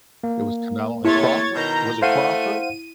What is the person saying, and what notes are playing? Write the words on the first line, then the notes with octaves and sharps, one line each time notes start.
It was Canelo and Crawford? Was it Crawford?
A#3
C3 A3 E4 C#5 G#6 A6
B2 D#3 A#5 G6
A3 C5 F5 F#5 D#7